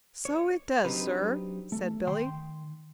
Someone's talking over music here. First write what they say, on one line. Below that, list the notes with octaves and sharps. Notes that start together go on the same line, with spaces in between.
"So it does, sir," said Billy.
C#5
F#3 C4 D4 D#4 G4 B4
A3
D#3 G5 C6